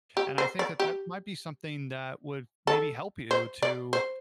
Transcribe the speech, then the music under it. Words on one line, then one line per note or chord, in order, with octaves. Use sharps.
And I think that that might be something that would maybe help you to
G4
C5
D5
G4
A4
C5
D5
C5